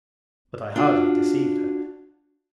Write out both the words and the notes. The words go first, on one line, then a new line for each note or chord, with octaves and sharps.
But I hardly deceived her.
D4 F4 F#4